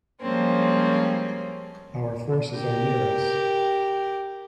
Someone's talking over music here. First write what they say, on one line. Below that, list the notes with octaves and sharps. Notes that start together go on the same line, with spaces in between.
Our forces are near us.
F3 G3 G#3 A#3 C4 C#4
G4 A#4